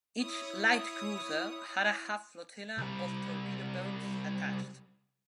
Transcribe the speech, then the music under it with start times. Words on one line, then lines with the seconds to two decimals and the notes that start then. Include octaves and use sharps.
Each light cruiser had a half-flotilla of torpedo boats attached.
0.20 E4 C#5 D#6
2.78 C2 G3